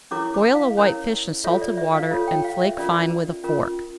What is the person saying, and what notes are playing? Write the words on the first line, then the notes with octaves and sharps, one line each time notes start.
Boil a whitefish in salted water and flake fine with a fork.
C#4 E4 A#4 C#5 D6
D6
F5
C#4 E4 A#4 C#5
F4 A4 C#5 E5
D5
E5
F5
F4 A4 C#5
G5
F5
E5
C#4 F4 A#4 D5
C#4 F4 A#4